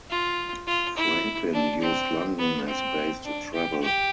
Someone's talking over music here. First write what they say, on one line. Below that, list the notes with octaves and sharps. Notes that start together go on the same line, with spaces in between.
Franklin used London as a base to travel.
F4
F4
E4
D4
C4
B3
C4
D4
G4
G4